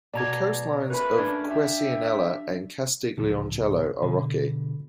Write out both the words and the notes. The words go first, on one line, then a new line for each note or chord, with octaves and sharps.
The coastlines of Quercianella and Castiglioncello are rocky.
B2 D5 A#5 G#6
A#2 A3 C#4 B4 B5
D4 G#6
F4 G4 E5
C#2 A2 F3
B2 D3